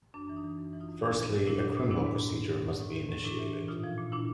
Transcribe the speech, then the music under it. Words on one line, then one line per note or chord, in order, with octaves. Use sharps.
Firstly, a criminal procedure must be initiated.
F#2 D4
E3
D#4
E3
F#2
E3
D#4 F4
F#2
A#2 D4 E4
F3
A#2
A#2 D4 E4
A#2
A#2
G#2 D4 E4
G#2
G#2
G#2
G#2
G#2
A2 D#4
E3
A2
A2 D4 E4
E3
E3
A#2 D#4 F4
F3
A#2
A#2 D4 E4